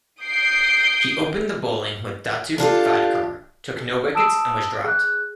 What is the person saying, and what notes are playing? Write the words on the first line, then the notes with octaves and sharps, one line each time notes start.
He opened the bowling with Dattu Phadkar, took no wickets and was dropped.
D#6 G6 C7 D7
D4 F4 G4 A4
A5 D#6 E6 D7 E7
G#4 F#6